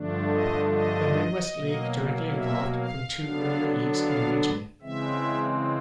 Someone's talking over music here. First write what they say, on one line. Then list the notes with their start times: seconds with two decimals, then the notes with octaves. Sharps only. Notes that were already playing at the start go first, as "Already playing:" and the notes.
The Midwest League directly evolved from two earlier leagues in the region.
Already playing: G2 D3 F3 A3 D4
0.32 D#5
0.73 D#5
1.55 B2 F#3 A#3
2.37 E5
2.78 F5
3.19 D3 F#3 B3 D4
4.01 F5
4.82 C#3 E3 G#3 C4 E5